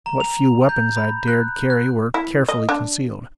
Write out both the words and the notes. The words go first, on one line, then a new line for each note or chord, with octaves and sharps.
What few weapons I dared carry were carefully concealed.
A#5
F7
G6
B5
F#6
F#6
E4
D#5
D4